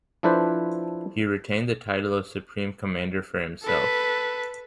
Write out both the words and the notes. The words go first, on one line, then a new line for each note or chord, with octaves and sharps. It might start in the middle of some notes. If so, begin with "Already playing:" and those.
He retained the title of Supreme Commander for himself.
F3 D4 E4 A4 B4 C5
A4 B4